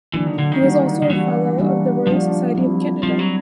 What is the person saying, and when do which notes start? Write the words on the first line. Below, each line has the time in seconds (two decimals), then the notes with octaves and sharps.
He was also a Fellow of the Royal Society of Canada.
0.14 D3 E3 F#3 A#3 D4
0.27 D#3
0.38 D3
0.52 D#3
0.62 G3 A#3 D4 F#4
1.02 D#3
1.10 E3 G3 A#3 D4 F#4
1.58 G3 A#3 D4 F#4
2.06 F3 G3 A#3 D4 F#4
2.55 G3 C4 E4
3.03 F3 G3 C4 E4
3.19 F#3